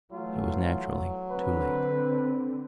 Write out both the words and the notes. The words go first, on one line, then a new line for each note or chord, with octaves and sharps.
It was naturally too late.
E3 F#3 A3 F4
D3 C4 B4